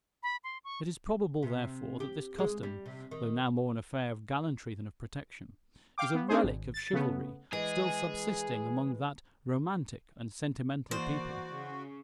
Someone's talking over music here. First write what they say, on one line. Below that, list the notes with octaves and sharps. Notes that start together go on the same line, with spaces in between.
It is probable, therefore, that this custom, though now more an affair of gallantry than of protection, is a relic of chivalry still subsisting among that romantic and sentimental people.
B5
C6
C#6
C3
G4
G#3
G3
C3
D#3
F5 G5 D6
B3
C4 D4 D#4 G#4 C5
G#1
A6
C#3 A3 B3
E3 G#3 G#4
E3 A#3 F#4 C5 D5
C#3